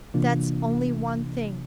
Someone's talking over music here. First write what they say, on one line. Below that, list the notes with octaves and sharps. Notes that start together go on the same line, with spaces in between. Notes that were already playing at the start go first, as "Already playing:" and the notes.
That's only one thing.
C3 E3 A#3 D4 F4